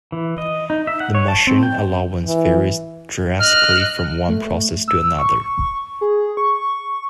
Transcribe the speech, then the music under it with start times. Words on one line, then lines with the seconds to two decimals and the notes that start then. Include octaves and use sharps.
The machining allowance varies drastically from one process to another.
0.12 E3
0.38 D#5
0.70 D#4
0.87 E5
1.00 F#5
1.15 C#5
1.28 A5
1.47 C4
1.63 G5
2.26 E3
3.39 D#5 F6 F#6
4.29 A3
4.88 E6
5.19 C#6
6.01 G#4
6.37 C#6